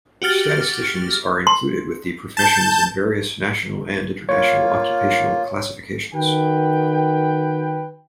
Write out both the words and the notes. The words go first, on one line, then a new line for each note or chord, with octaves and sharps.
Statisticians are included with the professions in various national and international occupational classifications.
F#4 G4 F6 A6
C6
A5 G6
A#3 F4 C#5
D#3 F#4 B4 G5